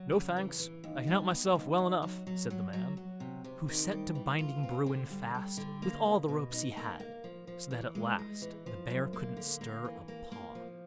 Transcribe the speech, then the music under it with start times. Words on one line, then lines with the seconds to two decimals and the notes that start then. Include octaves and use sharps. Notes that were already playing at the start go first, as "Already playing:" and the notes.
'No, thanks, I can help myself well enough', said the man, who set to binding Bruin fast with all the ropes he had, so that at last the bear couldn't stir a paw.
Already playing: F#3
0.12 C#3
0.37 E3
0.60 E3
0.84 D#2
1.08 G3
1.31 B3
1.55 D#2
1.78 D#2
2.02 F#3
2.27 F#3
2.50 F#3
2.73 F#3
2.97 F#3
3.20 C3
3.44 C3
3.68 D#3
3.92 G3
4.15 E3
4.39 F4
4.63 C4
4.86 D3
5.11 G3
5.35 G3
5.57 D3
5.82 A#3
6.05 B2
6.28 B2
6.53 D#4
6.77 A#3
7.00 A#3
7.24 F3
7.47 F3
7.71 E3
7.95 G#3
8.19 G#3
8.42 E3
8.66 F3
8.90 F#2
9.13 A#3
9.37 D3
9.61 A#3
9.85 E3
10.08 A#3
10.32 A#3
10.55 F3